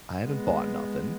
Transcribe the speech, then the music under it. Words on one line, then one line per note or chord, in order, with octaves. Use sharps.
I haven't bought nothing."
G#3 B3